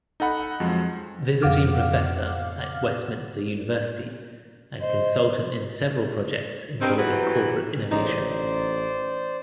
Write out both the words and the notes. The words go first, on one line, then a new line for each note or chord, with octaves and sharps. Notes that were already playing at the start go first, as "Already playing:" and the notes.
Visiting Professor at Westminster University and consultant in several projects involving corporate innovation.
D#4 A4 F#5 B5
F2 F3 F#3 G#3
F2 B2 F5 F#5 D6 F6
C5 D#5
G2 D#3 C4
E3 F#3 B3 F#4 G4 B4
A1 D#4 C5 D5